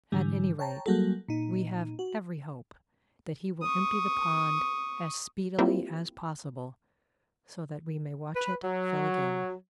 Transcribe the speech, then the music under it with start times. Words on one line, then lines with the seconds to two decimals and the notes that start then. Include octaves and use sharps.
At any rate we have every hope that he will empty the pond as speedily as possible so that we may watch it fill again.
0.12 G#2 D3 E3 G3
0.59 C#5 G5 A5 A#5
0.86 F#3 G3 A#3 F#4 G#4 A4
1.28 A#2 D#4
1.99 F#4
3.62 C#6 D#6
5.58 G3 A#3 C4 E4 F4 G4
8.35 B4
8.64 F#3